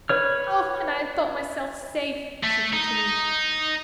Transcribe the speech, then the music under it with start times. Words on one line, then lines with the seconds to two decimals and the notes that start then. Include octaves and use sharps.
"Oh! and I thought myself safe," she continued.
0.09 B4 C#5 F6
2.43 A3
2.73 D#4